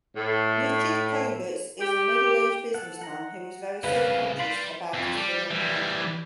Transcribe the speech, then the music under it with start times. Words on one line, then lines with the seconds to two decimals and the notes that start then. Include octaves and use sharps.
Richard Coberts is a middle-aged businessman who is very self-conscious about his thinning hair.
0.16 A2
1.80 G4
2.74 A4 F#5
3.02 F#5 A#5
3.84 C2 C#3 B4 F5
4.40 D5 B5 C6
4.93 F2
5.15 G3
5.51 E3 G3